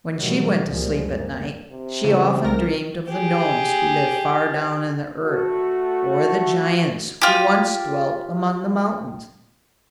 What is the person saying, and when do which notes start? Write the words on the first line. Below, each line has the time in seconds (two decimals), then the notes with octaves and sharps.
When she went to sleep at night, she often dreamed of the gnomes who live far down in the earth, or the giants who once dwelt among the mountains.
0.19 B2 D#3 E3 F#3 G3 A3
0.67 C#2 A#2 F3 G3 G#3 A#3
1.06 F#2 A#3
1.71 C3
2.04 C#3 E3 A3
2.44 C2 A#4 A#6
3.09 G4 G#4
5.23 A3 F#4
7.22 F4 G4